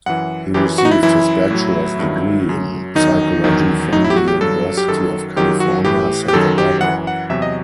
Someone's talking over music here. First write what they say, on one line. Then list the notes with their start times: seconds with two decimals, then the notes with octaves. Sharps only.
He received his bachelor's degree in psychology from the University of California, Santa Barbara.
0.06 F#2 E3 F#5
0.54 F#2 E3 G4
0.78 F#4
0.85 D#4
0.91 E4
1.03 F#2 E3 E4
1.51 A2 F#3
1.99 G2 D#3 F#3
2.47 F#2 F#3
2.95 E2 D#3 F#3 D#4
3.43 E2 D#3 F#3
3.92 A2 D#4
3.96 F#3
4.04 E4
4.10 G4
4.16 F#4
4.28 G4
4.41 G2 F#3 A4
4.77 G4
4.88 F#2 D#3 F#3 A4
5.36 F#2 D#3 F#3 G4
5.60 F#4
5.84 A2 E3 G4
6.28 G4
6.33 F#2 D#3 F#3 A4
6.58 G4
6.81 F#2 E3 F#5
7.07 F#5
7.29 E2 C3 F#3 E5
7.42 D#5